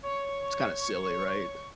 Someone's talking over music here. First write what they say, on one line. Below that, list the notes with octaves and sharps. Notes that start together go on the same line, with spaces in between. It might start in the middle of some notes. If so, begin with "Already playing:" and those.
It's kinda silly, right?
C#5 C#6